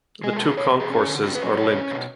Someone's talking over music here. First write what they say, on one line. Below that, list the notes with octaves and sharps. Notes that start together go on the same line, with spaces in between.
The two concourses are linked.
G#3 G#4
B2 A4
G#4
B2 C#5
B2
G#4
C#4
D3
C#4 F#4
B4
F#3
A4
B2 C#5
C#4
B2